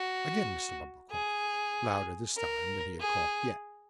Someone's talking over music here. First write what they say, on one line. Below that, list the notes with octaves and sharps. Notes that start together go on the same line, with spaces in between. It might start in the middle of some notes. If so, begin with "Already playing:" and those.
Again Mr. Bumble coughed--louder this time than he had coughed yet.
Already playing: F#4
G#4
A#4
G#4